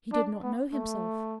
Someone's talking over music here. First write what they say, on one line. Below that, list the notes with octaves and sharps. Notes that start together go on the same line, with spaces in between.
He did not know himself.
D4
B3
A3